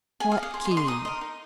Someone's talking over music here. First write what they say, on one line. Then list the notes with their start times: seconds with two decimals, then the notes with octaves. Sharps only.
"What key?"
0.20 G#4 G#5
0.32 F5
0.37 D#5
0.43 F5
0.54 G#4 C6
0.65 C6
0.71 D#5
0.77 C6
0.87 D#4 D#6
1.05 A#4 D#5
1.21 D#4